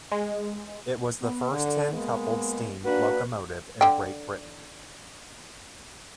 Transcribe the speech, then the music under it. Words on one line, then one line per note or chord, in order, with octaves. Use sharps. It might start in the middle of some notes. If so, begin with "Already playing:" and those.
It was the first ten-coupled steam locomotive in Great Britain.
G#3
B3
D3
G#3 A#3 B3
A#3 D4 F#4 B4
D3 G5